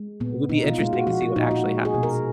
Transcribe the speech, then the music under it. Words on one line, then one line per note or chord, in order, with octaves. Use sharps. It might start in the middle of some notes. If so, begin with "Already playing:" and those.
it would be interesting to see what actually happens.
Already playing: G#3
A#2 B3
B2 D#4
F4
G#3 F4
F#4
F3 F#4
F4
A#2 D#4
F#4
G#3
G#4
B2
A#4